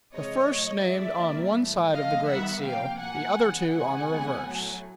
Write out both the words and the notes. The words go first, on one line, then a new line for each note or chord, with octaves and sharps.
The first named on one side of the great seal, the other two on the reverse.
C3 E3 G#3 C#5 D#5
A#2 F#3 A3
D3 F3 G#3 D5 E5
C3 E3 G3 A#3
A2 E3 A3
D3 F3 A3 D#5 F5
D#3 G3 B3 E5 F#5
C3 F3 A#3 F5 G5
A#2 F#3 A#3 F#5 G#5
C#3 E3 G#3 B3
C#3 E3 G#3 F#5 G#5
C3 E3 G#3 B3
A2 F#3 A3